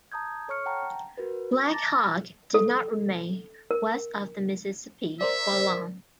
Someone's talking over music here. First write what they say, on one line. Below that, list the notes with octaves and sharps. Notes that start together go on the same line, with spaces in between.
Black Hawk did not remain west of the Mississippi for long.
A5 A#5 D#6 G6 G#6
A4 C#5 C#6 F6 C#7
F#5 G5 A5 A#5
F#4 A#4 B4
A5 A#5 D6 A6 A#6
A4
A#4
A#4 C5 D5 E5